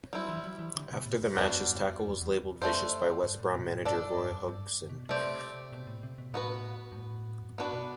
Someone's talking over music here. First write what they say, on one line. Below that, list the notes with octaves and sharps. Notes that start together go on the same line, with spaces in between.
After the match his tackle was labelled 'vicious' by West Brom manager Roy Hodgson.
F#3 G3 C4 E4
E3
F#3
E3
D3
B2
A2
G2
E2 G3 B3 D4 F#4
F#2
G2
F#2
F#2
E2
E2
F#2 A3 D4 G4 C5
G2
A2
B2
A2
G2 D4 A4 D5
F#2
G2
F#2
G2
B2
C3 A3 C4 G4 D5
B2
A2
C3
B2
A2 B3 F#4 B4
G2
A2
F#2
G2
A2 B3 D4 F#4 B4
B2